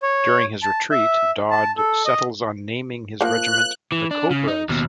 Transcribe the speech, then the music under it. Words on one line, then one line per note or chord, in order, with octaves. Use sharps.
During his retreat, Dodd settles on naming his regiment the Cobras.
C#5
A5
E5
A5
A4
D#5
F3 A#3 F#6
E3
D4
C#3
D#4
D#2 B2